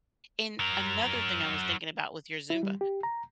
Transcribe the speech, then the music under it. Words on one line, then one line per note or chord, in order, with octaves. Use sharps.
and another thing I was thinking about with your Zumba:
F#3 A#4
E4
G3
G4
A#5